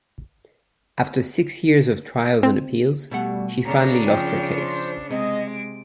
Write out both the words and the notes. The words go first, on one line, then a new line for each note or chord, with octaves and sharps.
After six years of trials and appeals, she finally lost her case.
C4
B2 G3 A3 F#5
C#3 D4 A#5
F3 C#4 G5
C5
C3 G#3 D#5
D7